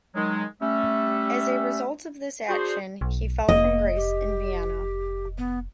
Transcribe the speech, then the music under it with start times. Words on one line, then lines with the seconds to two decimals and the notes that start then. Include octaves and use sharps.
As a result of this action, he fell from grace in Vienna.
0.15 D#3 F#3 G#3
0.61 G3 A3 C#4 E5
2.49 D4 F#4 G#4 C5
3.01 B1
3.48 F1 A#3 D#5
3.96 G4
5.38 B3